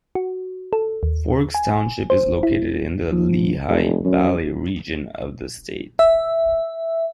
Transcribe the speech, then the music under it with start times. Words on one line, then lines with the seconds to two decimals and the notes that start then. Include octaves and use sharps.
Forks Township is located in the Lehigh Valley region of the state.
0.15 F#4
0.73 A4
1.03 D#2
1.54 G#5
2.10 C5
2.43 E4
3.11 F3
3.69 F1
4.05 F#2
5.99 E5